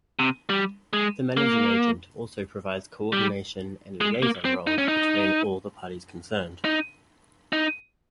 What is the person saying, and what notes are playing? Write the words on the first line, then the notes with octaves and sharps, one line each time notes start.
The managing agent also provides co-ordination and liaison roles between all the parties concerned.
C3
G3
G#3
A#3
G3
G#3
A#3
C4
D#4
C#4
D#4
D#4
D#4